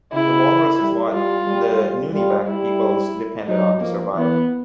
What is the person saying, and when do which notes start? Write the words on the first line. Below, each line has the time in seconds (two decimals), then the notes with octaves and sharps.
The walrus is what the Nunivak peoples depended on to survive.
0.13 C#3 E4
0.81 G3
1.13 G3 F4
1.47 G3
1.81 G3
2.14 G3 F4
2.48 G3 E4
3.48 F#3 D#4
3.81 F3 A#3
4.15 E3 B3